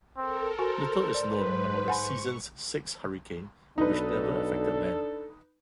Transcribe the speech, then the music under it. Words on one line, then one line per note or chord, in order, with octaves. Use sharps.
Little is known about the season's sixth hurricane which never affected land.
C4 A4 A#4
F#4 C5 G#5
G#2 B4 D5
F#3
F#5 G#5 B5 C#6
B1 D4 D#4 A4 B4